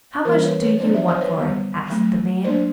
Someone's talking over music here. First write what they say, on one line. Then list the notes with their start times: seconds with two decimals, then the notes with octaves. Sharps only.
"How much do you want for it?" asked the man.
0.25 E3 G3 A#3 C#4 A#4 C5
0.44 B4 C#5
0.61 B4 C#5
0.80 F#3 B3 D4 C5 D5
0.94 D5 E5
1.08 C5 D5
1.21 B4 C#5
1.35 D3 G3 B3
1.90 F#3 A3 C4
2.44 F#3 A#3 D4 C5 D5